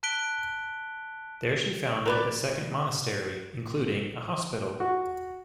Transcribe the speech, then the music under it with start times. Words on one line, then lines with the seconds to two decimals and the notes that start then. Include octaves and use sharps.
There she founded a second monastery, including a hospital.
0.03 A5 F#6 B6 D7 G7
2.06 A#4 B4 D5
4.80 F#4